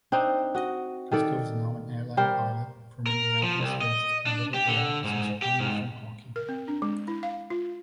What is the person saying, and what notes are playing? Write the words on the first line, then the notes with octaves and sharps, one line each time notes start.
Christoff is now an airline pilot for Minneapolis-based Endeavor Air since retiring from hockey.
C4 D4 D#4
F#4 D#5
D#3 A4 D5
G3 G4 A#4 C5
A#4
F3
C2
D#5
D4
G4
D3
G#2
G4
G#2
A#4
C4
D4
G#3
E4
F5
F4